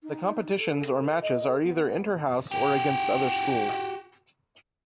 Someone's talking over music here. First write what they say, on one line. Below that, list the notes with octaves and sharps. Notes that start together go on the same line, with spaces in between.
The competitions or matches are either 'interhouse' or against other schools.
D#4
A4
D#5
A4
B3
F#4 G4